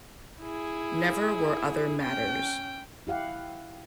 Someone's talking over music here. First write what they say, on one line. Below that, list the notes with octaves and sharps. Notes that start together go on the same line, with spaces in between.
Never were other matters.
E4 G#4
C#4 G5
E4 G4 F5 F#5